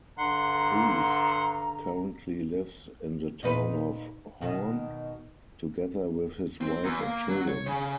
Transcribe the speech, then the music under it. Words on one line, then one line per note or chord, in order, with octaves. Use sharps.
Hoost currently lives in the town of Hoorn, together with his wife and children.
G2 D3 F#5 A#5 C6
A#2 D#4 B4
B2 D#3
C4
E2
A#3
F#3
C#5
C#3